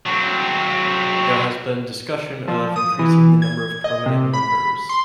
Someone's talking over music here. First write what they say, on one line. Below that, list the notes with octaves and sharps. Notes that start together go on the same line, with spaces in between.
There has been discussion of increasing the number of permanent members.
F#3 C4
F3
D#6
E3
G#6
D#5
C3
B5
C6